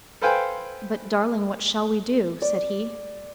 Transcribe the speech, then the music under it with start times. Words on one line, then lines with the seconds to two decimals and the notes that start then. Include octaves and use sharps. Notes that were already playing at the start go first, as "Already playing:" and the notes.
"But, darling, what shall we do?" said he.
0.22 A4 B4 C5 F5 G5 G#5
2.42 D5